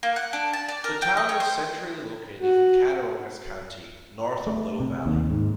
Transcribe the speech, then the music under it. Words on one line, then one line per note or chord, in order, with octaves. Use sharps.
The town is centrally located in Cattaraugus County, north of Little Valley.
A#3
F#5
D4
A5
D5
A#4
G5
D#5
C#5
C5
F#4
A3
C3
D#2
G#2